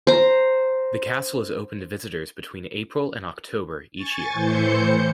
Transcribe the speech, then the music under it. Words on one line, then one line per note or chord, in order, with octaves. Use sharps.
The castle is open to visitors between April and October each year.
C5 A#5
G#5 C#6 A6
A2 E3 C5 G6 C#7